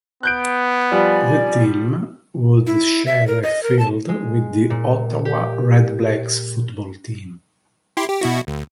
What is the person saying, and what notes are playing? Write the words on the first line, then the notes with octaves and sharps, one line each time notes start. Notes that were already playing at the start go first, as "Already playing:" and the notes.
The team would share a field with the Ottawa Redblacks football team.
B3 F#6 G6 D7
F3 G3 D5 G#5
E4
E5
A#4
D#5
A#4
A5
G#3
A#2
G4
E4 G4 C6
G4
B2 E4 F#4
D2